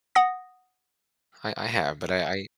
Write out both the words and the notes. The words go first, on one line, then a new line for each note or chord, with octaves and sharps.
I I have, but I
F#5 D#6 A#6